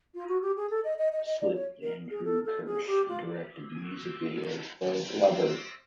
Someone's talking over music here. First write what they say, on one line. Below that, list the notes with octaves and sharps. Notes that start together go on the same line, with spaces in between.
Swift and Drew Kirsch directed the music video for "Lover".
F4
F#4
G4
G#4
A4
D#5
D#5
D#5
D#5
D5
C#5
A#4
G#4
A4
A4
G#4
G4
F4